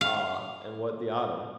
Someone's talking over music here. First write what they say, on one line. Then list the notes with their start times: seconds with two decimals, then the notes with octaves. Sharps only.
Ah! and what the autumn?
0.01 F5